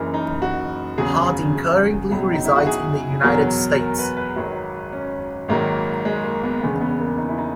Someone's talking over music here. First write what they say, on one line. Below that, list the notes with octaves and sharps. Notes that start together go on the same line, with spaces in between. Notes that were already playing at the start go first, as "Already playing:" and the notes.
Hardin currently resides in the United States.
Already playing: F#1 F#2 E3 A#4
D#4
F#4
E2 C#3 F#3 G#4
G#4
C#2 B2 F#3
D#4
E4
F#4
G#4
E2 B2 F#3 A#4
A#4
B4
B4
G#1 G#2 D#3 F#3
C#4
G#1 G#2 D#3 F#3 A#3
G#3
A#3
B3
E1 E2 C#3 B3
B3
A#3
D#4
E4
D#4